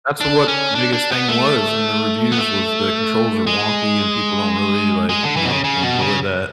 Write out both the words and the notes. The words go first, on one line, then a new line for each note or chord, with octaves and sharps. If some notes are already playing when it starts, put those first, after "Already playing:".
That's, uh, what the biggest thing was in the reviews was the controls are wonky and people don't really, like, you know, enjoy that.
D4
C#4
D4
D4
B3
A3
B3
A3
G#3
G#3
D3
E3
B2
C#3
C#3
B2
C#3